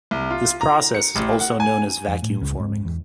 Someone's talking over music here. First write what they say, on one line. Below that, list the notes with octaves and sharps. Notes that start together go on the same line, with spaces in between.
This process is also known as vacuum forming.
C2
F4
A#5
C#7
A1
F#5
G#5
F2
A2
C#2
G#2
E2